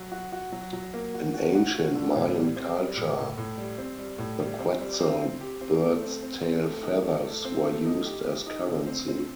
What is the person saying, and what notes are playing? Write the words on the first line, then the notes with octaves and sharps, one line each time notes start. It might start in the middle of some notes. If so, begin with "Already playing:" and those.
In ancient Mayan culture, the quetzal bird's tail feathers were used as currency.
Already playing: F#3
F#4
F#4
F#3
F#3
A#3
F#4
F#4
F#4
F#4
D3
A2
G3
C4
G3
A2
A2
A2
G3
C4
G3
A2
G3
C4
G3
C4
C4
G4
C4
A3
C4
C4
C4
A3
D#4
A3
A3
C4
A3
D#4
G4
G4
D#4
D3
C4
C4